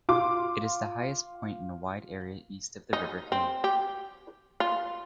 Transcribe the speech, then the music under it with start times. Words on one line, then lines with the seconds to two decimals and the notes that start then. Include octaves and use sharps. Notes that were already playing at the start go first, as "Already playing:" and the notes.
It is the highest point in the wide area east of the River Cam.
0.09 F4 C6 D6
2.93 D#4
3.32 C4
3.64 G4
4.60 F4